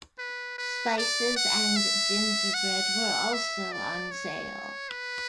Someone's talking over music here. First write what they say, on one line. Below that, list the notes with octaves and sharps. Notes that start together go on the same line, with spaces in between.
Spices and gingerbread were also on sale.
B4
B4
D5
F#5
E5
F#5
E5
D5
C#5
B4